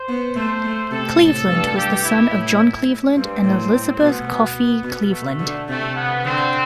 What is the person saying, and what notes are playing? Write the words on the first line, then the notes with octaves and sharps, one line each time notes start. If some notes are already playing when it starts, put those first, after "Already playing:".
Cleveland was the son of John Cleveland and Elisabeth Coffey Cleveland.
Already playing: C5
B3
A3 C5
A3
C3 A4
A2
G2
G4
E4
A2
G2 C4
A2
A2
B2 B3
B2
A3
D3
C3 A3
B3
D3 C4